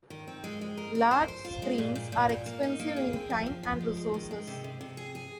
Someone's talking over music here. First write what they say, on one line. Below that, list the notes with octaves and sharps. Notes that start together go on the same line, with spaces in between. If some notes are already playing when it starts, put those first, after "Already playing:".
Large screens are expensive in time and resources.
D#3
C4
G#3
G#3
A#4
A#4
C5
C5
F4
G#3
A#2
A#2
A#2
A#2
A#3
D#4
A#3
G#4
C4
F3
F3
F3
G#3
G#3
D#3
G#3
C3
C3
C3
G#4
G#4